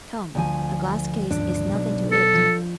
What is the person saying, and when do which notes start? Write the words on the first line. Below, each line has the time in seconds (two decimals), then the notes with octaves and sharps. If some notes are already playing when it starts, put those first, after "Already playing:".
Come, a glass case is nothing to it.
0.35 D2 F3 G#5
1.31 D#2 G#2 F3 D4
1.73 B2 F#3
2.12 A4
2.34 F3